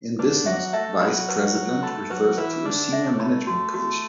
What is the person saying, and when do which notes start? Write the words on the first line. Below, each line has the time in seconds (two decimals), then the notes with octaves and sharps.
In business, "vice president" refers to a senior management position.
0.19 D3 D4 B4
0.46 F#3 F#4 E5
0.73 A3 A4 E5
1.01 F#3 F#4 B5
1.29 B4
1.55 B4
1.83 A3 A4 B5
2.10 F#3 F#4 B4
2.37 E3 E4 B4
2.65 D3 D4 B4
2.93 E5
3.06 A3
3.20 B5
3.47 F#4
3.74 F#4